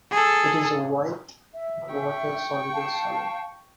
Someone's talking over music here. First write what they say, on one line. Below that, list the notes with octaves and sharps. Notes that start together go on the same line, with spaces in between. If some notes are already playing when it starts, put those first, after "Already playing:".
It is a white, water-soluble solid.
G#4 A4
E5
G5 C#6
F5 A5